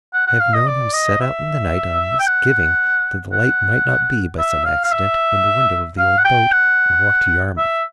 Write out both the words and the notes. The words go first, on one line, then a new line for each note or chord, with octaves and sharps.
I have known him set out in the night, on a misgiving that the light might not be, by some accident, in the window of the old boat, and walk to Yarmouth.
F#5
F#5
F5
D#5
D5
D#5
E5
G5
F#5
F#5
E5
F5
F5
E5
F5
F#5
G5
F#5
E5